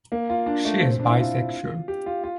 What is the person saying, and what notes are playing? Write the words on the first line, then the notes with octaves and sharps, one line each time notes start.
She is bisexual.
A#3
F4
D4
A3
C4
C4
D4
E4
F4
G4
F4
F4